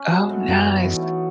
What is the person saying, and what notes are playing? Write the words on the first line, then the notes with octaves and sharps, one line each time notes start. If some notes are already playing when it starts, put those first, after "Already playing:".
Oh, nice.
Already playing: C#4
G#3 B3 F#4
F#3 A3
F#2 E3 G#3
D#3 F#3
B3
E3 F#3 A3
F#3 A3